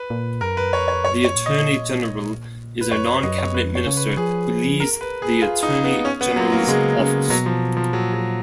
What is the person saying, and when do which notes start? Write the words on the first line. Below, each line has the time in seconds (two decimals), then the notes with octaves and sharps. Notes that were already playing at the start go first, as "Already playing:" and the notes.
The Attorney General is a non-cabinet minister who leads the Attorney General's Office.
Already playing: B4
0.10 A#2
0.41 F#2 A#4
0.57 B4
0.73 F2 C#5
0.88 C#5
1.04 F#2 C#5
1.25 C#5
1.36 A#2
1.46 D#5
2.81 B4
2.91 F#2 C#5
3.23 F#2 D#5
3.38 C#5
3.54 F2 B4
3.75 C#5
3.86 C#3
3.97 B4
4.17 F3 G#4
4.80 A#4
5.01 B4
5.22 G#4
5.42 F4
5.63 D#4
5.84 B3
6.05 C#4
6.21 B3
6.36 F#3
6.52 A#3
6.68 C#3 G#3
6.99 C#3
7.30 B2 F#3
7.46 F3
7.77 F3
7.93 A#2 F#3
8.13 F#3